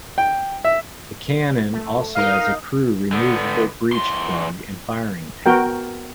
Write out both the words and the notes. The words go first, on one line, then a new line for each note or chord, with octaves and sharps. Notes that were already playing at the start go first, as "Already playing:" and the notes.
The cannon also has a crew-removable breech plug and firing pin.
G5
E5
A3
D#4 A#4 D#5 F5
D3 B3
E2 C6
B3 F#4 A#4 G5